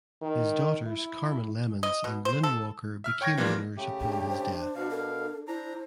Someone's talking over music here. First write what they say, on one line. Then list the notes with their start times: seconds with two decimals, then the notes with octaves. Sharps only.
His daughters Carmen Lemons and Lynn Walker became owners upon his death.
0.22 D#3
0.87 E4
1.83 D#5
2.04 B2
2.25 C5
2.43 A4
3.04 E5 F6
3.21 C#5 G5 C#6 G#6 A#6
3.38 E3 F3 G3 A#3 D4
3.77 C#3 A3 G4
4.00 D4 G#4 G5
4.29 C5
4.76 B2 F#4 F5
4.90 A4 A#4
5.48 D4 E4 C5 A#5